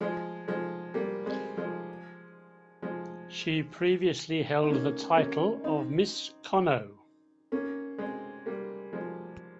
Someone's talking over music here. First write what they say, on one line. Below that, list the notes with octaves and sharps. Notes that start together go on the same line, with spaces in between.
She previously held the title of "Miss Conneaut".
F3 G#3
F3 G#3
G3 A#3
G#3 C4
F3 G#3
F3 G#3
D#4
A#3 C#4
A#3 C#4
C4 D#4
A#3 C#4
G#3 C4
G3 A#3
F3 G#3